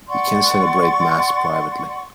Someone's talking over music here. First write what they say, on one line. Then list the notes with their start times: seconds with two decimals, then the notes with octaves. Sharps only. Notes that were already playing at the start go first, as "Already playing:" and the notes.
He can celebrate Mass privately.
0.08 D5 F#5 C6 C#6